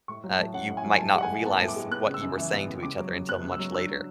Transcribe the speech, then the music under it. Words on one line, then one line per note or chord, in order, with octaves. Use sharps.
uh, you might not realize what you were saying to each other until much later.
A2 C#6
F#3
A5
A2
C#4 F#5
A2
G#5
F#3
G#5
A2 A5
G#3 F#5
G#5
A2
B3 A5
A2
D6
G#3
B3 F#6
C#3
E6
F#2
E3
B3
C#3
C#3 D6
F#3
C#3
B3 F#6
C#3
E6
F#3
D4 E6
F#3